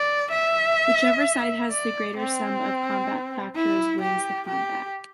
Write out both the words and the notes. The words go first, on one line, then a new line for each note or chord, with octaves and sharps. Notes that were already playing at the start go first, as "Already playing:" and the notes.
Whichever side has the greater sum of combat factors wins the combat.
Already playing: D5
E5
D5
C4
E4
G4
G4